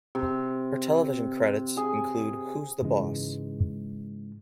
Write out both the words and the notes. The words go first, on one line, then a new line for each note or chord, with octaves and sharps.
Her television credits include Who's the Boss?
C3
G#4
G#2 C#3 E3 G#3